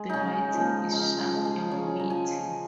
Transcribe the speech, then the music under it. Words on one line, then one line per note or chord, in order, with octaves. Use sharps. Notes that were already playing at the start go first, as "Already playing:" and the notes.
The writing is sharp and witty.
Already playing: G#3 G#4
C#3 C#4 D#4
F3 G#3
C#3 D#4
F4
F3 G#3
G#4
C#3 C#5
A#5
F3 G#5